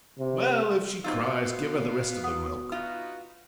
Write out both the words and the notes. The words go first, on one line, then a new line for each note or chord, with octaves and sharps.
"Well, if she cries, give her the rest of the milk."
C3
B2 B3 C4 D#4 F4 B4 F5 E6
F#5 D#6
D#4 F4 F#4 B4